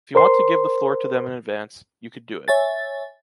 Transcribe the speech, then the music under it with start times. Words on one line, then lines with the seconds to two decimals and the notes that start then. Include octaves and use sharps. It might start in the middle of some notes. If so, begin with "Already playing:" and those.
If you want to give the floor to them in advance, you could do it.
0.15 A#4 C5 C6
2.48 C#5 E5 G#5 A6